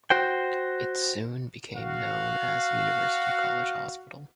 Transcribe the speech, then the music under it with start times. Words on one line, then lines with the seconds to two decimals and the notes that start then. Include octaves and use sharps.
It soon became known as University College Hospital.
0.10 F#4 C5 G5
1.76 F#4 F5